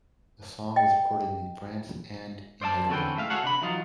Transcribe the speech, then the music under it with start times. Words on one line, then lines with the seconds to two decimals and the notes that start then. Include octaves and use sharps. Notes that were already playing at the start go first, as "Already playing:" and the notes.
The song was recorded in France and in Italy.
0.76 D#5 G5
2.61 C5 D5 E5 A5
2.89 D3 C4 C#4 A4 B4 G5
3.16 A2 G#3 E5 F5
3.30 F#4 G#4 A4 C#5 F5 F#5
3.43 C3 D4 B5
3.61 E3 F#3 D#4 F4